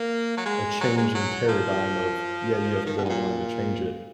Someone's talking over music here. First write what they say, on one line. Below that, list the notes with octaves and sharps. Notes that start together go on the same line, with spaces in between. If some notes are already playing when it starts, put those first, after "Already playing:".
a changing paradigm of, "Yeah, you have to go online to change it,"
Already playing: A#3
F#3
G#3
F#3
G#3
F#3
F3
D#3
B2
G#2
A#2